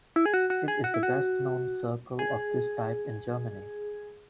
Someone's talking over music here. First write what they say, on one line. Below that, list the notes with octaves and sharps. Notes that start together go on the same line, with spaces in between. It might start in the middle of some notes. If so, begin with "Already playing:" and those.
It is the best known circle of this type in Germany.
E4
G#4
F#4
F#4
G#4
F#4
E4
F#4
G#4